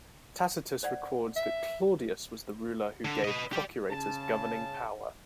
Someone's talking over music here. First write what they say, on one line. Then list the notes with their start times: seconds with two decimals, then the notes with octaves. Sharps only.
Tacitus records that Claudius was the ruler who gave procurators governing power.
0.83 C5 D5 F#5
1.36 E5
3.05 D3
3.24 B4 D#5
3.53 G4 D5
3.90 C#3 A5